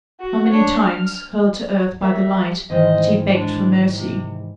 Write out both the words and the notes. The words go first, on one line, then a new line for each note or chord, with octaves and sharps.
How many times, hurled to earth by the light, had he begged for mercy!
F#4
D4 C#5
F6
G3 A#4 E5
G#2 D#3 E3 C5 D#5
G#3 D4
C3